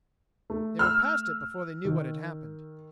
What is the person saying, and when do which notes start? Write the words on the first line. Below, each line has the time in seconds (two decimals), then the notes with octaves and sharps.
They were past it before they knew what had happened.
0.50 A3
0.79 E6 F6
1.85 D#3